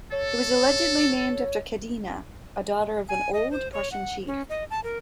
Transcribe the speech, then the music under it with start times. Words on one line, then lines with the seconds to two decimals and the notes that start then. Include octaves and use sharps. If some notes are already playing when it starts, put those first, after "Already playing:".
It was allegedly named after Cadina, a daughter of an Old Prussian chief.
0.12 A4 C#5
3.09 G#5
3.33 D#5
3.51 C5
3.73 C#5
3.92 F#5
4.27 C#4
4.49 D#5
4.70 A5
4.84 A#4